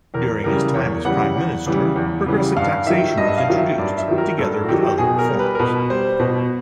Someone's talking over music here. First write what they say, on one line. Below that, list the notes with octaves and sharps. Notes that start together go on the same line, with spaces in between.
During his time as Prime Minister, progressive taxation was introduced, together with other reforms.
E2 A#4
C#3 E3 G3 A#4
E2 C#5
C#3 E3 G3 F#5
E2
C#3 E3 G3
E2
C#3 E3 G3
G2 F5
D#3 F#3 E5
G2 D#5
E5
F5
D#3 F#3
E5
G2 D5
E5
D#3 F#3
A#4
G2 A4
F#4
D#3 F#3 G4
B2 G#4
A#4
G3
B4
A#4
B2 B4
G3 C5
B2 B4